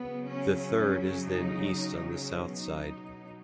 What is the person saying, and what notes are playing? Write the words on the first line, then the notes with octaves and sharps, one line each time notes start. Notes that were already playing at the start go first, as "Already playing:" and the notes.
The third is then east on the south side.
Already playing: C#3 F#3 B3
C#4
C#4
D#4
D#4
C#4
B2 F#3 D#4